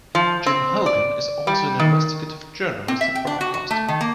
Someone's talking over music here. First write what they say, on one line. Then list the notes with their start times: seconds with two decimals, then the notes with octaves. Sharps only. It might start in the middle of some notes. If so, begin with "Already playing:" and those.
Jim Hougan is also an investigative journalist and broadcaster.
0.15 F3
0.46 C4
0.86 D5
1.47 G3
1.79 D#3
2.88 C4
3.01 E5
3.15 G5
3.27 D4
3.41 F#4
3.54 F#4
3.70 A3
3.88 D#3
4.01 A#3